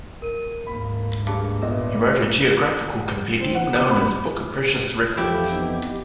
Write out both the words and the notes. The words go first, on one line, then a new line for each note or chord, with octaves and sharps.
He wrote a geographical compendium known as "Book of Precious Records".
A#4 D#7
D2 G#2 A#3 B5
G2 G#4 A5 D6
A#2 B3 B4 D#5 E5
C4
F#5
B3
B5
F2 E3 F3 E4 G4 A4
B3 D#4